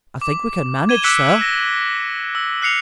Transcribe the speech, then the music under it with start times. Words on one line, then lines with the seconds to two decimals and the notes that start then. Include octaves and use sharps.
"I think we can manage, sir."
0.21 D6
0.89 G#6 D#7 E7 G7
1.04 D6 E6 F#6 B6 C#7 D7
1.41 A#6
2.35 E6
2.61 F6 F#6 C7 C#7 F7